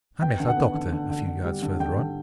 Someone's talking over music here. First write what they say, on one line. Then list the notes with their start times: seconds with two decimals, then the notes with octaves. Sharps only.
I met our doctor a few yards further on.
0.22 B3 G5
0.40 D3
0.48 F#5
0.57 B3
0.74 D3
0.92 D3
1.10 D3
1.27 D3
1.45 G3
1.62 D3
1.80 D3 G5
1.97 D3